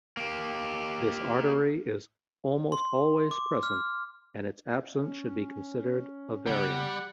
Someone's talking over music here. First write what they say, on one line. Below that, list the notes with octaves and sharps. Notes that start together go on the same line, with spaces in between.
This artery is almost always present and its absence should be considered a variant.
A#3 G4
C6
D6
F6
C#4
C#3 G3 B3 F#5